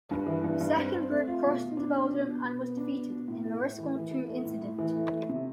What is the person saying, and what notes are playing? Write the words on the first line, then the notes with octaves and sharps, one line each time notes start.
The second group crossed into Belgium and was defeated in the Risquons-Tout incident.
G2
E3
G2
G2
C4
C4
A3
F4
B2
B2
D4
D4
B2
B2
B2
B3
D4
B2
B2
A2
A3
A2
E3
E3
E3
A3
A2
A2
E3
A3
A3
C3